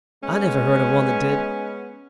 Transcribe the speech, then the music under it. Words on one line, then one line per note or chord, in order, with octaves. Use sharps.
"I never heard of one that did."
G#3 B3 C#4